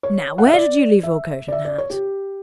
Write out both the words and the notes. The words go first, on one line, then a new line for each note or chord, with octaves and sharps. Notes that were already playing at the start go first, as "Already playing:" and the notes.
Now where did you leave your coat and hat?
C#5
F#5
E5
D5
E5
D5
E5
D5
C#5
G4